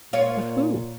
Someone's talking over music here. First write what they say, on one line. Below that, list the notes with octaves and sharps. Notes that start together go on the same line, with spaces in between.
"But who?"
A#2 F4 C#5